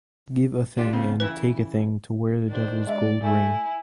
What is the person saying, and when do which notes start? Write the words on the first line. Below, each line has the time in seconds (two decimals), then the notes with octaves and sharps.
Give a thing, and take a thing, to wear the Devil’s gold ring!
0.77 D4 F4 G4
0.93 C#3 B3 C4
1.20 C#3 E3 E4 B4
2.48 D#3 D4 C5
2.87 G#3 D4 D5 E5
3.22 A3 E4 G#5